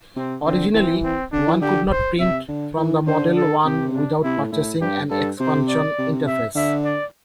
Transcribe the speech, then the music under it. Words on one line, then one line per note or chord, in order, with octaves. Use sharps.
Originally, one could not print from the Model One without purchasing an Expansion Interface.
C3 C4
D3 C4
E3 C4
C4
D3 D4
E3
D3 G4
C5
C3 E5
D3
E3
D3 C5
A4
C3 G4
D4
C3 E4
A2
A2 E4
G2 G4
G2 A4
C3 C5
D5
C3
E5
D3 E5
D5